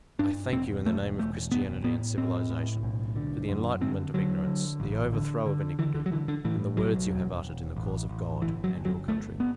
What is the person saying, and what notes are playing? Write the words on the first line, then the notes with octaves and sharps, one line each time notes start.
I thank you, in the name of Christianity and civilization, for the enlightenment of ignorance, the overthrow of iniquity, and the words you have uttered in the cause of God and your country.
G2 D4
E1 C4
E1 A3
E1 A3
E1 B3
A2 B3
A2 C4
A2
B1
D3
F#2
D3 C4
D3 F#3
D3
A1
D3
D3
D3 E3
D3
F#3
D3 E3
D3
A2 E3
B1 F#3
E1
E1
A1
A1
G1 E3
F#3
G1
F#3
G1 A3
B3